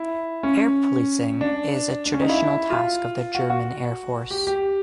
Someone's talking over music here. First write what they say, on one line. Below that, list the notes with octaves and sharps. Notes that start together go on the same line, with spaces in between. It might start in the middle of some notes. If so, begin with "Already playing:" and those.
Air policing is a traditional task of the German Air Force.
Already playing: E4
C#4
D4
D4
C#4
D#4
E4
F4
F#4
F#4
G4
G4